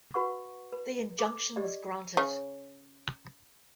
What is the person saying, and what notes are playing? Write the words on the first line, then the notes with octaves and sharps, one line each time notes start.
The injunction was granted.
F#4 B4 F#5 C#6
B4
A4 D6
G4 D5 D#5
C#3 C#5